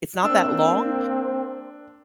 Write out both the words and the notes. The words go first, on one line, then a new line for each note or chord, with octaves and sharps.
it's not that long,
A#3 C4 D4 E6